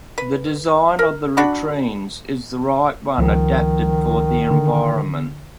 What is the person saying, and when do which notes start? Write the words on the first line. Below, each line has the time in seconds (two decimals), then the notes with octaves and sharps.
The design of the latrines is the right one adapted for the environment.
0.18 B4
0.99 A#4
1.37 D4 F#4 D5 B5
3.18 C#2 D#3 F3
4.51 D3